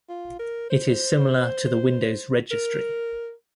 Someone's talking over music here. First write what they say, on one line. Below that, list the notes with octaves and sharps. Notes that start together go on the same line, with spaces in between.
It is similar to the Windows Registry.
F4
A#4
C5
A#4